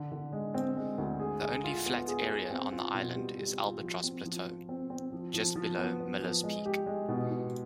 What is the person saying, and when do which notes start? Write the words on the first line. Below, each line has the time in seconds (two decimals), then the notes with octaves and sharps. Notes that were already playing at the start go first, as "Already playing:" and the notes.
The only flat area on the island is Albatross Plateau, just below Miller's Peak.
Already playing: D3
0.12 D3
0.32 G#3
0.54 C4
0.77 G#3
0.98 D2
1.20 G#4
1.41 G#4
1.64 F4
1.86 B3
2.08 G#4
2.29 G#4
2.51 C4
2.72 F4
2.94 B2
3.16 G3
3.39 G3
3.60 F4
3.81 F3
4.03 C4
4.26 F3
4.47 F4
4.69 C4
4.90 C4
5.13 F3
5.34 F3
5.55 F3
5.77 B3
6.00 B3
6.22 F3
6.43 G#3
6.66 G4
6.86 G#3
7.09 B2
7.30 B2